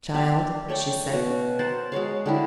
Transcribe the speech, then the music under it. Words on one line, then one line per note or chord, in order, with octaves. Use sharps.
"Child," she said.
G4 D5 E5 F5
A3 C#5 D5 G5
B2 C#5
A#4 C5 F#5 A5
G#3 F#4 C#5 F5
D3 G3 E4